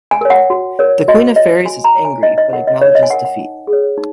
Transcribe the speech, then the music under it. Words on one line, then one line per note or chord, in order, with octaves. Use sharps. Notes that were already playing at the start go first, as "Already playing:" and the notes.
The Queen of Fairies is angry but acknowledges defeat.
G#5
A#4 C#5
F#5
F#4
A#4 C#5
F#4 D#5
C#5 D#5
F#4 G#5
A#5
C#5
G#5
D#4 D#5
D#5
A#4 C#5 F#5
D#5
D#4 C#5
D#5
G#5
A#4 C#5 F#5
F#5
D#4
G#4
C#5
D#4